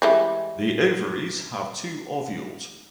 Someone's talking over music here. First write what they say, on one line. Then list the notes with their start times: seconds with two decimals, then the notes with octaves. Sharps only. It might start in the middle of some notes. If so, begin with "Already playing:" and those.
The ovaries have two ovules.
0.02 E3 G3 G#3